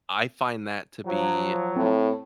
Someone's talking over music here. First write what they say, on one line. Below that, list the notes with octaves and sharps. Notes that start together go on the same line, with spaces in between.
I find that to be
F3 F#3
A2 C4